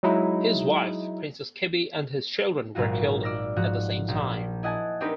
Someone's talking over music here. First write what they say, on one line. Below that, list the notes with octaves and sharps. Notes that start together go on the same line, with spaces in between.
His wife, Princess Kibi, and his children were killed at the same time.
F#3 G#3 D#4 E4
G#1 A#2 F#3 F4 F#4
D5 E6 F6 A#6
G#2 F3 F#4 F#6
A#1
E4 D#5 F#5 G#5 A5
C4 D4 D#4 G4 A#4 B4